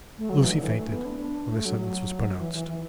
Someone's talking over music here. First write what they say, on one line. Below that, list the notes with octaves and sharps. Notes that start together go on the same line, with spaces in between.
Lucie fainted when the sentence was pronounced.
A3
F#3
E3
D3
E3
A3
B3
D4
A3
F#3
F#3
E3
E3
E3